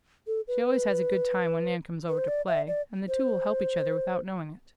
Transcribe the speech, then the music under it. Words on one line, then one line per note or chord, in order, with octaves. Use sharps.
She always has a good time when Nan comes over to play, and the two will help each other without knowing it.
A4
B4
B4
C5
D5
E5
D5
C5